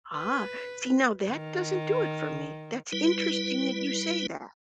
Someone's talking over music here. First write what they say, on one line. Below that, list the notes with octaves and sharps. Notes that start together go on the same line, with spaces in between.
Ah, see, now that doesn't do it for me. That's interesting that you say that.
B4
D#3
G3 E4 B4